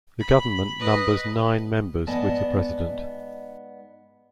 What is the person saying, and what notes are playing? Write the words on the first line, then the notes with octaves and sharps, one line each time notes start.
The Government numbers nine members with the president.
B5
B4 D#5
G#2 B3 D5 D#5 G#5 A5